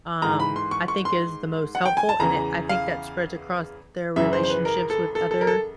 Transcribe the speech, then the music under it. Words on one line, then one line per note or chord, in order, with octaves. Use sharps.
um, I think is the most helpful and it I think that spreads across their relationships with other,
G#2 E3 A#5
B5
C6
C#6
C#6
C6
F#5
G5
G#5
A5
E2 C#3 E3 A#5
F5
F#2 C#3 E3 E5
C5
C5
B4
A#4
A4
A4
A4
A#4
A4